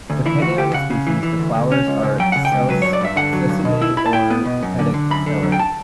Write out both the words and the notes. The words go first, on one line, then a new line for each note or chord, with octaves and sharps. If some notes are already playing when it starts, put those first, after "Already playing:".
Depending on the species, the flowers are sessile or pedicellate.
D2
E3 E4
D2 F#4
D2 G4
C#3 F#5
C#3
E3
E3
D2
D2
C#4
C#2
C#2
F#3 G5
C#3 F#5
G5
C#2
F#3 B4
G2 C#5
D5
G2 E5
D3 F#5
F#3
G2
B2
E4
E4 B5
A5
E4 G5
B3
B2
F#2
D3
D3
F#2 B5
D3
F#3
G5
A5